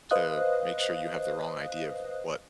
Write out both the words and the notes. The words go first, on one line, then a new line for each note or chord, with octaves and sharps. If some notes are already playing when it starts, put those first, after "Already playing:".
to make sure you have the wrong idea of what
B4 C5 D#5 F5 D#6 F#6